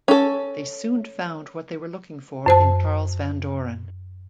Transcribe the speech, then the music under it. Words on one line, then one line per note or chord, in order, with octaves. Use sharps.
They soon found what they were looking for in Charles Van Doren.
C#4 A4
F#2 C5 A5